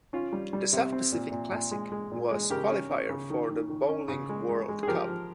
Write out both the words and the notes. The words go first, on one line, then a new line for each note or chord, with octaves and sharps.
The South Pacific Classic was qualifier for the Bowling World Cup.
C#4 F4
G3
G3
C3
C4
A#2
A#2
A#2
G#3
G#3
A#2
G#3
C#3 G4 A#4
C#4
C#4
C#3
D#3
D#3
D#3
C#4
C#3
G#3
G#3
G#3
G#4
F3 G4 A#4
F3